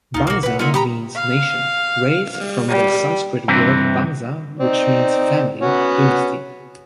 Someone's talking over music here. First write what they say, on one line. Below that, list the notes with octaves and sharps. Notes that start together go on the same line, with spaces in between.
"Bangsa" means "nation", "race", from the Sanskrit word "vamsa" which means "family", "dynasty".
D2 D#4 F4
B1 A#3 F#4
B4 F#5
A#3 D#4 F4 E5 F#5
G4 A#5 B5 D#6
F5
G3
G2 C3 E3 C4
C4 D#4 D5
B3 C#4 F#4